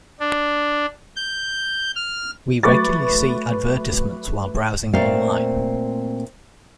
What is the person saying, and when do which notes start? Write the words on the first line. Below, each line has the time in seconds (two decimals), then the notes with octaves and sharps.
We regularly see advertisements while browsing online.
0.20 D4
1.16 G6
1.95 F6
2.63 F#3 A3 B4 C#6 D6 A6
4.93 A#2 A3 C4 C5 D5 F5